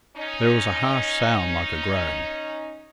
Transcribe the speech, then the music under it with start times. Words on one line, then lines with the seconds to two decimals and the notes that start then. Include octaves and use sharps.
There was a harsh sound like a groan.
0.16 C#4 D#4